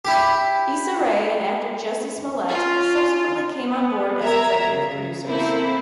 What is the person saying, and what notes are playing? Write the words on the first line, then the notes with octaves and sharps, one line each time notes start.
Issa Rae and actor Jussie Smollett subsequently came on board as executive producers.
E4 G4
C#4 F4
B3
A#4 E5 A#5 G#6
C#3
A#3 C4 E4 A4